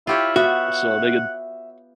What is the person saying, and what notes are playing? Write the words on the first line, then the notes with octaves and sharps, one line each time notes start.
So they could
E4 F4 G4 C#5
B3 F#4 E5 F#5